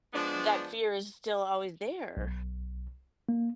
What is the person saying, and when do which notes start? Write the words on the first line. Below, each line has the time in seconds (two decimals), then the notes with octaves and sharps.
that fear is still always there.
0.13 F3 G#3 B3 D4
2.17 B1
3.29 A#3